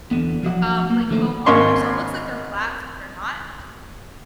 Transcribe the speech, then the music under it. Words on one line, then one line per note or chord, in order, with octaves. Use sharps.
um, like foam armor, so it looks like they're flats, but they're not.
E2 D3 B3
F3 F#3 D#5 F#5
A#3
D3 D#3 F3 A3 A#3
G#1 A#3 C#4 C#5 C6 C#6